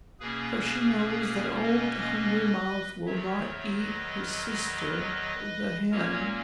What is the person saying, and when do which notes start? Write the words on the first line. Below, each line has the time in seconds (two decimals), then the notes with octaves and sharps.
For she knows that old Hungry-Mouth will not eat his Sister, the Hen.
0.20 B2 A#3 C#4 G#4 B4
1.63 B4 D#5
3.05 E2 D#3 F#3 C#5 E5
3.77 B4 D#5
4.49 B4 D#5
5.91 A#2 F#3 A#3 C#4 A#4 C#5